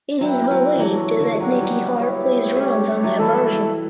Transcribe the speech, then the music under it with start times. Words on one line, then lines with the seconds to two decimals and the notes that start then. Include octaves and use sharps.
It is believed that Mickey Hart plays drums on that version.
0.20 F#3 E4 B4 E5 G5
0.51 F#3
0.76 E3
0.80 F#3 D4 A4 C#5
1.19 D3
1.40 F#3 D4 G4 C#5 F#5
1.51 G3
1.63 F#3
1.99 B3 E4 G4 C#5
2.56 A3
2.59 G3 D4 G4 C#5
2.75 G3
2.90 G3
3.04 F#3
3.19 E3 A3 E4 A4